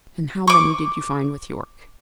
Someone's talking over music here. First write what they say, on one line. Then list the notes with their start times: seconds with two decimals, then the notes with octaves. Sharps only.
"And how many did you find with Yorke?"
0.48 C#6 D6